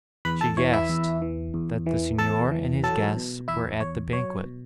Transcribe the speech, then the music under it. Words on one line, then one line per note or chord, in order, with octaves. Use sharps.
She guessed, that the Signor and his guests were at the banquet.
E2 B4 B5
A4 A5
E3 C#5
E4 E5
E2
E3
E2
E3
E2 A4 A5
E3
F#3 A4 A5
B2
E2 E4 E5
E2 C#5
F#3 C#5
B2